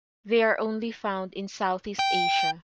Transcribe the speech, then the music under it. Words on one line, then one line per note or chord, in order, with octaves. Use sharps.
They are only found in Southeast Asia.
G5